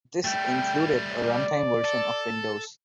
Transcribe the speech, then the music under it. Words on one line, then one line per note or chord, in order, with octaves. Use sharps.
This included a run-time version of Windows.
G3 A3 G5
D5
A4